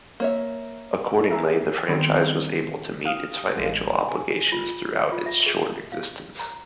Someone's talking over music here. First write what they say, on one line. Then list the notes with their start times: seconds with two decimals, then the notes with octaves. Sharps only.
Accordingly, the franchise was able to meet its financial obligations throughout its short existence.
0.20 A#3 C#5 E5
1.31 G#4 A#4 E5
1.88 D#3 G3 B3 C4
3.05 G4 F5 D#6 F6
3.55 A1 G#3 F5
4.09 G#5
4.52 F4
5.12 F4
5.26 E5
5.46 G#4
5.92 F5
6.39 A#5